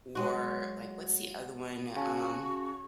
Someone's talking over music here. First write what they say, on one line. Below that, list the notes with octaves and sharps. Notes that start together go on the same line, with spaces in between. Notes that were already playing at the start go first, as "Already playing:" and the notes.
or, like What's the other one? Um,
F#3 G#3 F#4
C#3 F#4 F5 G#5 A5 C#6